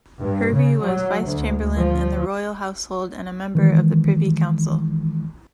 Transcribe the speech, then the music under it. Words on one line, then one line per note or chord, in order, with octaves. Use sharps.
Hervey was vice-chamberlain in the royal household and a member of the Privy Council.
G2
C#3
F#3
D2
F3
D#3 E3 G#3